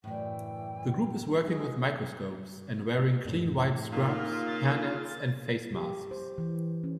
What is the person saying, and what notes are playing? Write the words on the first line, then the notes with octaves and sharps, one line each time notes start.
The group is working with microscopes and wearing clean white scrubs, hairnets and face masks.
F#2 A2 C#3 E3 D4 G5
F#3 G#3 G#4
F#2 A2
A#2 C#3 A#3 D#4 F4
A6
G4
C5
E3
C#4